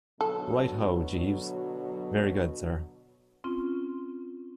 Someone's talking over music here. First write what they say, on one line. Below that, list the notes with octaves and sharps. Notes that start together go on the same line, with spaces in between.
'Right ho, Jeeves.' 'Very good, sir.'
B2 D3 F#3 A4
C4 C#4 F4